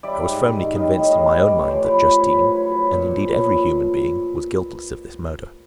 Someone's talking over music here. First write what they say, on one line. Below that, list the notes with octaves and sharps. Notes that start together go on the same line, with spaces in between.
I was firmly convinced in my own mind that Justine, and indeed every human being, was guiltless of this murder.
G3 D5 E5
G#2
D#3
G3 D#5 F5
A2
D#5 F5
E3
A2 D5
C#5
F3 C5 D5
B4 C#5
F3
A2 B4 C#5
F#3
B4 C#5
F#3
A#2 C5 D5
F3
B4 C#5
F3